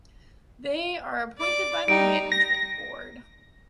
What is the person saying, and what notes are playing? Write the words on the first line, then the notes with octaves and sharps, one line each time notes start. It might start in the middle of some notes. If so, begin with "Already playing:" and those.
They are appointed by the Management Board.
D5 D6
G3 D#4 D7
A#6